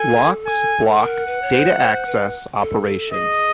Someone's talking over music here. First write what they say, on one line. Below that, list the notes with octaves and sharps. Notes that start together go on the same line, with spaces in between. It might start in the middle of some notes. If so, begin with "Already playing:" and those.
Locks block data-access operations.
Already playing: A4 G#5
G#5
A#4 F#5
B4
C#5
C5
C5
B4
A4
G#4 D#5